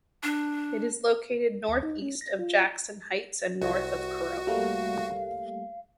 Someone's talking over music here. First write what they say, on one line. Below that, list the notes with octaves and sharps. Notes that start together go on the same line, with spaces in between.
It is located northeast of Jackson Heights and north of Corona.
D4
D#2
D#4
C#4
A#6
F4
C2 F#4
G3 A3 A#3 F5